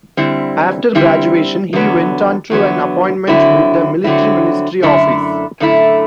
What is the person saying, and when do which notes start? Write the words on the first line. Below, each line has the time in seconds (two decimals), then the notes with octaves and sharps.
After graduation, he went on to an appointment with the Military Ministry Office.
0.17 D3 G3 C4 E4
0.95 D3 G3 C4 E4
1.73 E2 D3 F#3 B3
2.50 E2 D3 F#3 B3
3.27 D3 F#3 C4 E4
4.04 D3 F#3 C4 E4
4.82 F#2 D3 A3 E4
5.60 F#2 D3 A3 E4